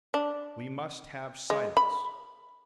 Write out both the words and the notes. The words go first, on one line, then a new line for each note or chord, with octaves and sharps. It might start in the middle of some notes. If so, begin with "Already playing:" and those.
"We must have silence!"
D4
G#3
B5